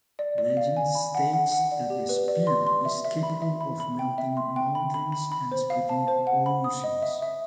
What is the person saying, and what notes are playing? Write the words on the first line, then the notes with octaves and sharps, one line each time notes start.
Legend states that the spear is capable of melting mountains and splitting oceans.
D5
D5
F5
G#5
B5
F#5
F#5
F#5
D5
G4
B4
D5
C6
C6
E5
E5
B5
E5
B5
B5
G5
E5
C6
G5
B5
B5
B5
B5
C5
F5
A5
C5
F#5
B5
D#6
D#5
E5
E5